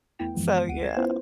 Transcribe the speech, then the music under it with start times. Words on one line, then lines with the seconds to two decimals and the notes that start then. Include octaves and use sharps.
So yeah.
0.19 E2 A3 B3 E4 G5
0.34 F#2 E3 F3 G#3 B3
0.68 G1 D2 F#5 D7 D#7
0.83 G#6 C7 E7
0.97 B3 C#4 E4 F4 B4 C5